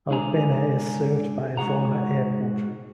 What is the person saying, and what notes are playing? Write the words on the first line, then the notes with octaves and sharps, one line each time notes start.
Albena is served by Varna Airport.
G#2 D3 D4 G#4 A#5
G#2 F#4 G#4 F#5 A#5